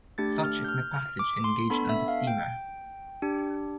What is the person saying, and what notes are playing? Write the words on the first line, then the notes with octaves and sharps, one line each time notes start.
Such is my passage engaged on the steamer.
A3 D4 G4 A6
F6
G6
F6
F6
D6
C6
B3 D4 A4 B5
E5
F5
G5
D4 G4